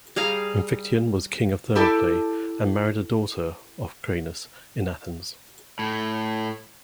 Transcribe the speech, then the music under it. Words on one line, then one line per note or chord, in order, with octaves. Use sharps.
Amphictyon was king of Thermopylae and married a daughter of Cranaus of Athens.
G3 G#4 F5 A#5
E4 G4 A4 D5
A2